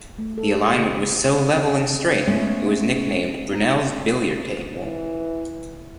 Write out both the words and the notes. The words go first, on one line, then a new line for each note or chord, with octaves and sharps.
The alignment was so level and straight it was nicknamed 'Brunel's Billiard Table'.
A3
A4
G4
C#3
G#3 A3 B3 C#4
D#4
E3